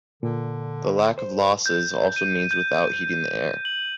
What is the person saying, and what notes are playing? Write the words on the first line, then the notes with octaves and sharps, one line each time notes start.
The lack of losses also means without heating the air.
A#2 D3
C5
G6
D#7
G6
F#7